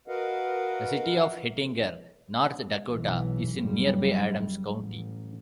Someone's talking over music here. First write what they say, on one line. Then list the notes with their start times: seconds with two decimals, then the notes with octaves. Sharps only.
The "city" of Hettinger, North Dakota, is in nearby Adams County.
0.08 F#4 A#4 B4 D#5 F5 F#5
2.88 B1 E3
3.57 F#1 G3
4.74 A1